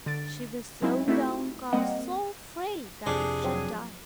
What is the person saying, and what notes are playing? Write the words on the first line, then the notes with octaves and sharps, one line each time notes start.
She was so downcast, so afraid that it should die!
D3 A6 D7
F#3 G#3 C4 D#4 E4
A3 C4 D#4 E4 F#4 G4
G3 A#3 C4 D#5 F#5
F2 C3 D4 G#4
F3 F#3 C4